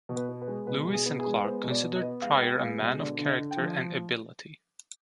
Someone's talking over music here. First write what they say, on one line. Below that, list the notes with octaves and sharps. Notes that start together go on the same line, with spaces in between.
Lewis and Clark considered Pryor a man of character and ability.
B2
B4
B3
B4
G#3
B2 B4
B2
G#4
B3
G#4
G#3
B3 C5
B2
D5
B3
D#5
B3
G#3 F5
B3 G5
G#3 F5
B2 D#5
D3 D5
D3
D#5
D3
G5
F3